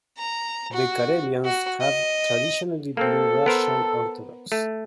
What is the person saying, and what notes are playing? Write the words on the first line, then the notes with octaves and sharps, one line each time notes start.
The Karelians have traditionally been Russian Orthodox.
A#5
F#4
F#4
D#5
A#3 C4 A4
B3 A#4 C5
A3